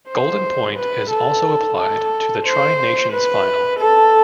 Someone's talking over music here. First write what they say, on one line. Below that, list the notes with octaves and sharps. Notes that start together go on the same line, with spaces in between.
Golden point is also applied to the Tri-Nations final.
C5
B4
A4
A4
C5
B4
A4